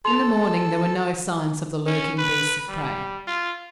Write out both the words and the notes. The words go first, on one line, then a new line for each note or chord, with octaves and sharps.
In the morning there were no signs of the lurking beasts of prey.
A4 C6 F7
C#4
B4
G3
F4